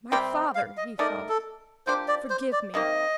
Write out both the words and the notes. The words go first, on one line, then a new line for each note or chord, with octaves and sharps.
"My father," he thought, "forgive me!"
C3 G3 C4 G5
F5
D#5
A3 D#4 A#4 D5
A4
F3 A#3 D4 G4 C5
D5
C5
D5
C3 D#3 A#3 D#5